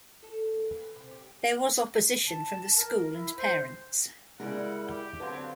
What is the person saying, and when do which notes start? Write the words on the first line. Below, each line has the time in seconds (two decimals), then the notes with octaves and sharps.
There was opposition from the school and parents.
0.23 A4
0.52 A#3
0.67 E3
0.96 C3
1.11 G4
2.27 A5
2.77 A#4
3.12 E4
3.37 C5
4.40 C#3 G3 G#3 E4 A#4 F#5
4.89 G4
5.20 D3 F#3 C4 B4 F5 F#5 C6